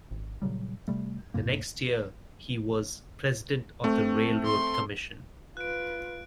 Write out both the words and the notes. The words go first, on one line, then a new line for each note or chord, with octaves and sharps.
The next year he was President of the Railroad Commission.
G#1
A#2 C#3 F#3 G3
C3 G3 A3
D2 G2 B2 A#3
A3 C4 C5
C6
F4 B4 F#6 D7